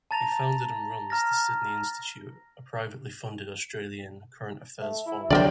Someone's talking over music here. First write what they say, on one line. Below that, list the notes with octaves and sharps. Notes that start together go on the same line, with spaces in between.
He founded and runs the Sydney Institute, a privately funded Australian current affairs forum.
A5 A#5 A6 A#6 F7
A#5 F6 A6 A#6
A3
E4
D3 F#3 C4 G4 A#4 D5